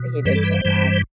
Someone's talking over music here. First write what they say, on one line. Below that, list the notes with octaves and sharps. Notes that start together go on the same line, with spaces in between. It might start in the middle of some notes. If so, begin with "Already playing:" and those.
but he just will not,
Already playing: B2
G2 E3 G3
A4
B4
C5
G2 E3 G3